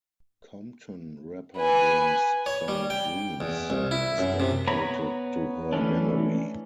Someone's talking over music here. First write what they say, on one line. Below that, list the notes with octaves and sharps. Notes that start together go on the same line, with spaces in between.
Compton rapper Game's song "Dreams" is dedicated to her memory.
B4 G#5
C#5
G3
G5
E2
C2
E4
F#2
C3
B3 C#5 A#5 B5
E3 A3 C#4 D4